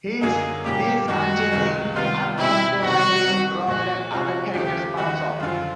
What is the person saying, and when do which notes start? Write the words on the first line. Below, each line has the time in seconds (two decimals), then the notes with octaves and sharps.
He's this unchanging, uncompromising rock that other characters bounce off.
0.21 F#2 D3 F#3 A#3 D#4 G#4
0.64 A#2 G3 A#3 C#4 G4
1.08 F#2 D#3 G3 F#4
1.51 C#2 C3 D#3 G#3
1.94 C3 D#3 G3 B3 F4
2.38 B2 G#3 C4 D#4 E4 G4
2.81 C3 D#3 F#3 B3 F#4
3.24 C2 C3 D#3
3.67 A#2 F3 G#3 F#4
4.10 C3 F3 G#3 C#4 F4 F#4
4.53 D#2 C#3 F3 A3 G4
4.97 D#2 D#3 G#3 F#4
5.40 F#2 D3 F3 F4